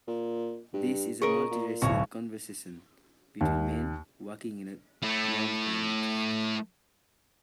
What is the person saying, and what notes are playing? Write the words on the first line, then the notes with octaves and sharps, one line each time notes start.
This is a multiracial conversation between men walking in a warm climate.
A#2
G2
C#3 A#4 D#5 C#6
A#2
D1 B1 F#4 C#5
D#2
A3 E4